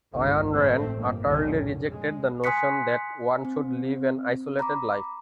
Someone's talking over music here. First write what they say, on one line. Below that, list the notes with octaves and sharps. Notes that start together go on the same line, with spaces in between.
Ayn Rand utterly rejected the notion that one should live an isolated life.
G1 C2 G#2 D3
A1 D2 A2 A3 C4
G1 A#3
F1 B1 D3 D#3 A3 C#4
A2
G#3
G#5 C6 D#6 F#6 B6 C#7
C4
A#5 B5 D6